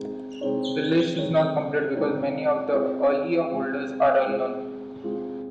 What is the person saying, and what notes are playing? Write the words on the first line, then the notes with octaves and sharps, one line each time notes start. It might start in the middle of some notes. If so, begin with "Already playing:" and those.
The list is not complete, because many of the earlier holders are unknown.
Already playing: G#3 C4 D#4 G#4
G#3 C4 D#4 G#4 C#5
G#3 C4 D#4 G#4 C#5
G#3 C4 D#4 G#4 C#5
G#3 C4 F4 G#4
G#3 C4 F4 G#4
G#3 C4 F4 G#4
G#3 C4 F4 G#4